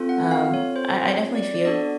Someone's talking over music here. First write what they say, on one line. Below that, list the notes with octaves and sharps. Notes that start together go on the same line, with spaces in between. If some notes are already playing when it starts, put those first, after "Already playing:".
um, I I definitely feel
Already playing: C4 F4 A4
F#5
F5
C#5
C5
C#5
D5
D5
B3 D4 F#4 A4 D#5